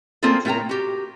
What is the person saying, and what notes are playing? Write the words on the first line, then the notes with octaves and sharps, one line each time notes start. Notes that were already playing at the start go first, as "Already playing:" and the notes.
You too.
A#3 C4 C#4 F4 G#4 A4
A2 A#4 G5 A#5
F#4 G4